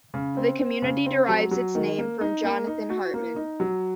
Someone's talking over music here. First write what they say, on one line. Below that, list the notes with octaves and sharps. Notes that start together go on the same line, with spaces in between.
The community derives its name from Jonathan Hartman.
C#3
C4
C4
C#3
C4
F#3
F#3
D#3
A#3
D#4
A#3
D#4
F#4
A#3
D#4
F#3